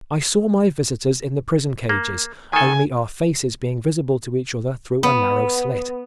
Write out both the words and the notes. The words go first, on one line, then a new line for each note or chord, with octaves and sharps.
I saw my visitors in the prison cages, only our faces being visible to each other through a narrow slit.
A#3
D#3 A4 G#5
B3